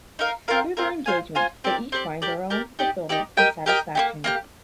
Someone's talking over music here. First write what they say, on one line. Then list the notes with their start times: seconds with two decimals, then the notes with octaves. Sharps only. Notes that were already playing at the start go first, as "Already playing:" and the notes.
Through their engagement, they each find their own fulfillment and satisfaction.
0.19 D#4 A#4 F5
0.48 C4 F4 A#4 F5
0.77 C4 F4 A#4 F5
1.06 F4 C5 F5 G#5
1.35 F4 C5 F5 G#5
1.64 C4 G4 A#4 D5
1.92 C4 G4 A#4 D5
2.22 G4 A#4 D5
2.50 G4 A#4 D5
2.79 D#4 G4 D5
3.09 D#4 G4 D5
3.37 G4 A#4 D#5 G5
3.66 G4 A#4 D#5 G5
3.95 A#3 D#4 G4
4.24 A#3 D#4 G4